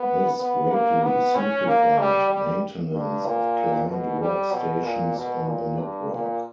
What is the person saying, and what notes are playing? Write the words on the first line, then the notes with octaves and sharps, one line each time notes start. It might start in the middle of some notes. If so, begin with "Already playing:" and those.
This greatly simplified maintenance of client workstations on the network.
Already playing: B3
B3
A#3
B3
C#4
A#3
G3
G3
G2
A#2
B2
G3
B2
A#2
B2
A#2
G2
A#2